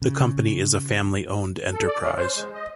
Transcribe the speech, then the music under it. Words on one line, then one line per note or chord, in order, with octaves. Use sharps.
The company is a family-owned enterprise.
C#3
A4
D5
C#4
C5
G#3
D#5